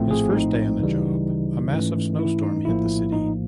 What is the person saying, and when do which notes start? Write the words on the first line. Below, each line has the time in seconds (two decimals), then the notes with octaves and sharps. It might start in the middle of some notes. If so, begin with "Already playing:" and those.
His first day on the job a massive snow storm hit the city.
Already playing: A#1 A2 F3 A3 C4
0.11 G#4
0.33 D#4
0.79 D2 C#3 E3 G3
1.73 G#2 E3 A3 C#4
2.19 E4
2.43 D#4
2.65 A#1 A2 F3 A#3 E4
3.13 D#4